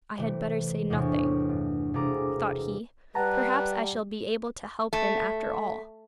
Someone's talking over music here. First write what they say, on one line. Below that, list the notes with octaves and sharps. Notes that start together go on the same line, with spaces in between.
'I had better say nothing,' thought he; 'perhaps I shall be able to help him after all.'
C3 E3 A3
E2 A2 C3 D4 G#5 C#6
A1
G2
E1 C3 G#4 A4 A#5 D6
G3 B4 F#5 A5 A#5
A3